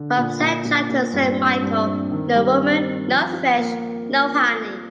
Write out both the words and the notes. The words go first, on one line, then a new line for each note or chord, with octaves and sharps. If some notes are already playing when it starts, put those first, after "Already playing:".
From Saint John to Saint Michael, no woman, no fish, no honey.
Already playing: D3
A#2
A#2
A#2
A#2
G2
C4
G2
C4
D#3
G3
C4
C4
F3
F4
A#3